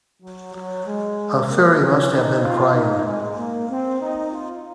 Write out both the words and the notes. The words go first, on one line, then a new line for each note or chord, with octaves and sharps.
A fairy must have been crying.
F#3
F#3
G#3
A#3
C#4
D#4
F4
D#4
G#3
A#3
C4
D#4
F4